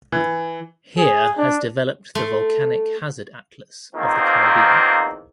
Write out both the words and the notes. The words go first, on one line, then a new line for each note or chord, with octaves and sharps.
Here has developed the volcanic hazard atlas of the Caribbean.
E3
G#4
D4
A3 C6
E2 D#3 F3 A#3 C4